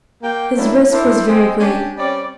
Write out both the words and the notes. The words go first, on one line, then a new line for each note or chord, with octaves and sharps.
His risk was very great.
A#3 G5
F#3 A#3 C#4 D4 E4
D4 E4 A4 A#4 C5 D5
G#3 C4
C#4 D4 G4
G3 C4 C#4 D5